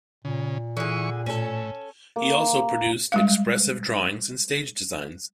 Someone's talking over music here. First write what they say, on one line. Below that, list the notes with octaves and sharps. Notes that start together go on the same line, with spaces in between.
He also produced expressive drawings and stage designs.
A#2 C#3
D3 E3 G#4 C#6
A2 C#4 A4
A#3
G3 G#3 F5